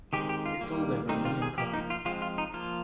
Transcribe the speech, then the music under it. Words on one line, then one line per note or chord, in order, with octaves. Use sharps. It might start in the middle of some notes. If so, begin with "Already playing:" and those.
It sold over a million copies.
D#3 G#3 C4 G4
G4
F4
D#3 G3 A#3
D#3 G3 C4 D#4
F4
G#4
F3 A#3 G4
D#4
F4
F3 G#3 C4 F4
F4
D#4
F3 A#3 F4